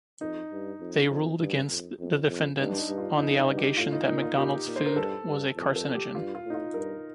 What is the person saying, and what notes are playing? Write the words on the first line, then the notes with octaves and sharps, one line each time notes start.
They ruled against the defendants on the allegation that McDonald's food was a carcinogen.
F2 D#4
G2
F2
F2
G2
F2
F2
F2
G2 D#4
D4
D#4
G2
F4
F2 D#4
D#4
G2
G4
A2 F4
D#4
A#2 D#4
F4
A#2 G4
A#2
C5
A#4
G2 A4
G2
F2
A4
G4
G2 F4
F4
A2
D#4
F4
G2 A#4